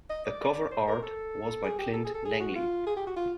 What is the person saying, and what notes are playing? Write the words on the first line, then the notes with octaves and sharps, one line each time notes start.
The cover art was by Clint Langley.
D#5
D5
C5
A#4
A4
G#4
G4
A4
G#4
A4
G#4
F#4
F4
G#4
G4
F#4
F4